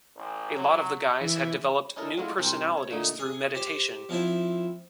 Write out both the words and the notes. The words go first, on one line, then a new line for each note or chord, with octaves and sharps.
A lot of the guys had developed new personalities through meditation.
A1
F#3
E3
C#4 D#4 E4 A4 A#4
F#3 G#3 A3 C#4 E4 F4
C2 C4 A#4 C5
C#5
A#2 D3 A3 D#4
G#4
G4 C5
F3 C4 E4 C5